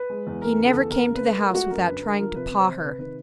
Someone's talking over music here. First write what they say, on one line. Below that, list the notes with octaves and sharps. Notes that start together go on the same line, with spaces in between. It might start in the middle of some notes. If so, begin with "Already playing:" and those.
He never came to the house without trying to paw her.
Already playing: B4
G#3
E2
A3 A#4
C#3
A4
E2
E2 A#4
C#3
B4
A3
A3 A#4
F4
A3 F#4
F#2 A#4
D3 B4
D3 A#4
F3 A#4
C3 B4
C3
C5
C3
C3 B4
D#3 B4